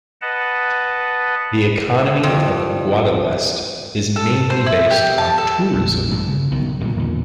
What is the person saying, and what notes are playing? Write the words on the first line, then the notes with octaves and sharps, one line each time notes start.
The economy of Guadalest is mainly based on tourism.
B4 D#5 F#5 A5
C2 F2
A4
C5
E4
G4
A5
A4
A#1 F2
G2 A#2 G#3
C#3
B1 B2 D#3
G2 A#2 D3 G3
E2 A#2 D3 D#3